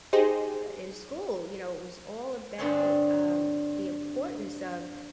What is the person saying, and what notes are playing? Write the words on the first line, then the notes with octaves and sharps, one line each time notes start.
uh, in school, you know, it was all about, um, the importance of
D#4 G4 G#4 C5
G2 D3 G3 C4 G#4 C#5